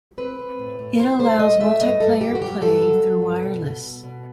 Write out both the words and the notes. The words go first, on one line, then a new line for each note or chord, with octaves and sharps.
It allows multiplayer play through wireless.
C4 B4
C4
A2
A2
A2 C5
A3 C5
A2 D#5
A3 E5
G2 D#5
G2 A4
G2 G4
F#4
F#3 G4
G2 A4
F#3
F#3
G2
B2
B2
B2
B2